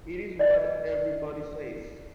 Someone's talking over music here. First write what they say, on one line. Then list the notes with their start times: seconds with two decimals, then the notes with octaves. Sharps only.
It is what everybody says.
0.39 D5 D#5